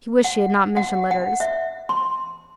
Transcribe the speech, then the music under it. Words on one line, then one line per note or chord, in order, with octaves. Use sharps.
He wished she had not mentioned letters.
F#5
F#5
F#5
E5
C6